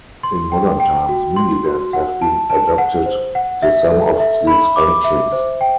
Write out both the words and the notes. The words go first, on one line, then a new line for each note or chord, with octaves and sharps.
In modern times minivans have been adapted to some of these functions.
C6
G5
G5
F#4
C6
F#4
F#5
A5
A5
F#5
C5
F#5
E5
A4
E5
B5
D6
E5
C5
G5